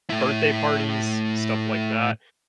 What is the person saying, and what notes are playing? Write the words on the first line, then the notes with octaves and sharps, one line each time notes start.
birthday parties, stuff like that.
A2 E4